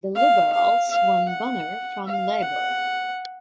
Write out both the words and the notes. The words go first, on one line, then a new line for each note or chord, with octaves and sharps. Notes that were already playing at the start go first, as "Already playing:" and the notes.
The Liberals won Bonner from Labor.
F5
F5
F5
F#5
F5
F#5